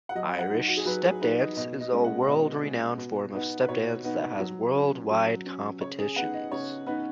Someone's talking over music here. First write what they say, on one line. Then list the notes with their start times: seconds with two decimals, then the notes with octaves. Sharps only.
Irish stepdance is a world-renowned form of step dance that has worldwide competitions.
0.09 F#5
0.15 F#3 D#5
0.39 F#5
0.50 D#4
0.67 F#4
0.77 G#4
0.86 F#3 B4
1.04 G#4
1.21 D#4 B4
1.38 D#5
1.57 B2 D#5
1.80 D#5
1.92 G#3 C#4
2.04 F#5
2.27 B2 D#5
2.63 G#3 C#4
2.98 B2
3.34 B3 D#4
3.61 B4
3.68 B2 C#5
4.04 B3 D#4
4.40 F#3
4.75 C#4
5.10 F#3
5.46 C#4
5.81 C#3 C#5
5.99 G#4
6.16 B3 D#4 F#5
6.34 D#5
6.52 C#3 C#5
6.87 B3 D#4 B4